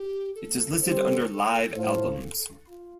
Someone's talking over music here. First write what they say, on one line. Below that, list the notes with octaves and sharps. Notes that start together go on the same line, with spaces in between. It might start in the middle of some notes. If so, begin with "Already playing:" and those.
It is listed under Live albums.
Already playing: G4
A4
D3 G3 C4 G4 C5
A2 A3 F4 C5
F4